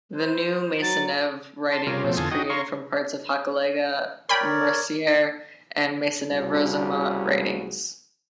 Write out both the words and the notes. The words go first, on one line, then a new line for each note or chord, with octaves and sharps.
The new Maisonneuve riding was created from parts of Hochelaga, Mercier and Maisonneuve-Rosemont ridings.
C5
F#3 A6
A5 C6
C3 G3 C#4 F4 A#4
B2 F3 A3 C4
E2 D3 F4 A4 G#5 D#6
D#4 F#4 D#5 G5 D#6
C#5 F5 A#5 C6 C#6
A#4 C#5 D5 G5 B5
C2 C#3 G3 F#4